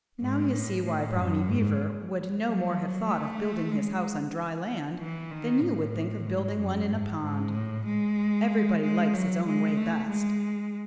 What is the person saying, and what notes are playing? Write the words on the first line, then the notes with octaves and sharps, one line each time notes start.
Now you see why Brownie Beaver would no more have thought of building his house on dry land than you would think of building one in a pond. Everybody likes his own way best.
G#2
A2
A2
F#2
G#2
F#3
A3
G#3
E3
D#3
A2
G#2
F#2
G#2
G#2
A2
G#3
G#3
F#3
G#3
A3
G#3